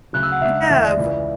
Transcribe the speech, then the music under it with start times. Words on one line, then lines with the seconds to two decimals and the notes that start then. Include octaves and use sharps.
yeah, b
0.13 D2 C#3 F#3 F#6
0.23 E6
0.32 F#5
0.41 C#3 G#3 D4 E5
0.69 E2 D3 A3 D4 E5
0.84 D5
0.97 C#2 C#3 E3